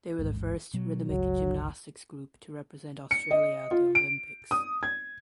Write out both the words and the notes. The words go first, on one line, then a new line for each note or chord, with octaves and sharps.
They were the first rhythmic gymnastics group to represent Australia at the Olympics.
D1 A1 G#2
B2 F#3
G1 C#2 F#3
C#7
D#5
F4
D7
D#6
G#6